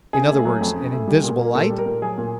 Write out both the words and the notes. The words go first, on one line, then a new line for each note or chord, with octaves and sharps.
"In other words, an invisible light?"
C#3 G#4
A3
F#3
F2
C#3
A3
G3
A#2
A#3
A#2 A4
G3
A#4
A#2
F#3 G#4
A#2